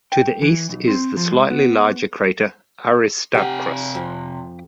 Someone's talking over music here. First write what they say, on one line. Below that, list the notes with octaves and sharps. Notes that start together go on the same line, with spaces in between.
To the east is the slightly larger crater Aristarchus.
G5
E3
B1
C4
F3
G#3
B3
C3 G4 F#5 G#5 A#5
F2